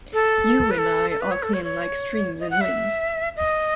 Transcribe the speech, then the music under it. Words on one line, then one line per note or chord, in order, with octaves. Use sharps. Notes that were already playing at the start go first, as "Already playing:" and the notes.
You and I are clean like streams and winds.
A4
B4
A4
A4
B4
C#5
A4
C#5
C#5
D#5
F#5
E5
D#5